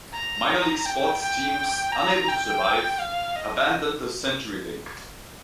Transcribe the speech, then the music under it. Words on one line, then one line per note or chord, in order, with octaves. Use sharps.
Minor league sports teams, unable to survive, abandoned the CenturyLink.
A#5
G5
G5
A#5
G5
F5
D#5